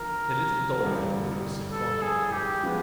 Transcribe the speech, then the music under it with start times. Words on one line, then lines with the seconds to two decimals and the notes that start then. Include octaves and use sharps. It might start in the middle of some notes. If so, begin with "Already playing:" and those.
The little Dolphin moves in front of the Horse.
Already playing: D3 F3 A#4
0.82 A1 G2 D3 G3
1.72 A4
2.02 G#4
2.32 G4
2.64 F3 G#3 B3